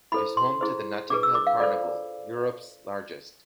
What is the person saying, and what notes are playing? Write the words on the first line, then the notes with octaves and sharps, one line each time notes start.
It is home to the Notting Hill Carnival, Europe's largest.
E4 A4 C5 B5
C6
E4 G#4 C5
D4 G#4 B4 D6
E6
D6
F5
F4 A4 C5 D5